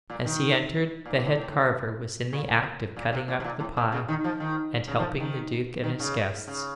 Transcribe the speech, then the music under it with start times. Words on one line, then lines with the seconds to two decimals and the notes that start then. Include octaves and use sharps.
As he entered the head carver was in the act of cutting up the pie and helping the duke and his guests.
0.10 A#2
0.25 D#3
1.06 A#2
1.16 A2
1.27 A2
1.37 A2
2.33 A#2
2.49 A2
2.96 A#2
3.13 C3
3.28 A#2
3.40 C3
3.44 A#2
3.60 A2
3.77 A#2
3.92 C#3
4.08 D#3
4.24 F3
4.40 D#3
4.88 C#3
4.99 F3
5.20 D#3
5.84 D#3
6.00 C#3
6.47 C#3